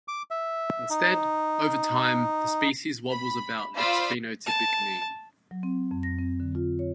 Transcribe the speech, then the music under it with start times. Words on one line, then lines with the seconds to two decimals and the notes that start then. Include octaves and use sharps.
Instead, over time, the species wobbles about its phenotypic mean.
0.08 D6
0.31 E5
0.90 D#4
3.10 B5
3.76 F4 C5 D5 F5 B5 E6
4.46 A5
5.51 F#3
5.63 C4
5.91 F2
6.03 A#6
6.19 C4
6.40 D3
6.55 F4
6.79 C#5